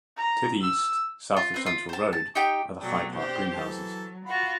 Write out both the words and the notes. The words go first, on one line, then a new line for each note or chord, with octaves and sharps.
To the east, south of Centre Road, are the High Park greenhouses.
A#5
E6
F4
C4 B4
F4
C5 A5
A5
D#4 G4 G5
B2 F#3 A3 A4 D5 G5
C4 D4 G4 C5
E3 F#3 A4 A5
F4 F#4 F#5 B5